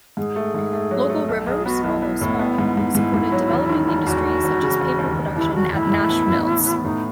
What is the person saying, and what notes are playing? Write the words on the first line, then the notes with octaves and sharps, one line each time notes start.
Local rivers, although small, supported developing industries such as paper production at Nash Mills.
G#2 G#4
A3
G#2
A3
F#3
A3
B1 A4
B1 G#4
B3 F#4
B1 E4
B3
A2
B3
G#2
G#2
G#2 E4
G#2
F#3
E1
D#3
E1
E2 F#4
D#3
E1
C#3
E1
D#2
E1
D#2 E4
E1 F#4
A2 E4
A2
B3
A2
B3
B3
A2 D#4